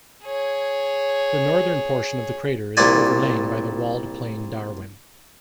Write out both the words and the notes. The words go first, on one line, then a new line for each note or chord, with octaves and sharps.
The northern portion of the crater is overlain by the walled plain Darwin.
G#4 C#5
C2 A#2 D5 G#5